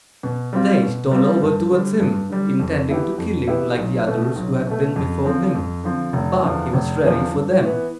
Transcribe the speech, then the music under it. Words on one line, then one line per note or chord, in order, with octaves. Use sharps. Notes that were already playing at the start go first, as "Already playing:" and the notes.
They stole over towards him, intending to kill him, like the others who had been before him: but he was ready for them.
B2
G3 C4 F4
B2
G3 C4 F4
G2
D3 G3
G2
D3 G3
F2
E3 B3 E4 G4
F2
E3 B3 E4 G4
B1
B2 A3
B1
B2 A3
F2
D3 F3 C4
F2
D3 F3 C4
F1
E2 D3 F3
F1
E2 D3 F3
G2
E3 B3